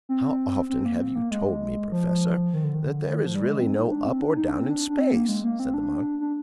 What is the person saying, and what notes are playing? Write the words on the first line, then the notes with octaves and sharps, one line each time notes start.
"How often have you told me, Professor, that there is really no up or down in space?" said the monk.
C4
C4
A#3
C4
A#3
G#3
F3
F3
D#3
D3
D#3
D3
D#3
F3
G3
G#3
C4
D#4
D4
C4
D4
D#4
D4
C4
D4
D4
C4
A#3
G#3
A#3
C4
D4
D4